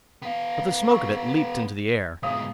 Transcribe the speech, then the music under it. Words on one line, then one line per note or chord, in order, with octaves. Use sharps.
But the smoke of it leaped into the air.
B3 F5
C#6 E6
G#2 B2 E5 F5 D#6